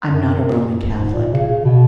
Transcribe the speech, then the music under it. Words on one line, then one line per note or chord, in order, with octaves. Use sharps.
I'm not a Roman Catholic.
F#2
F#2
G#2
A#2
C#3
B2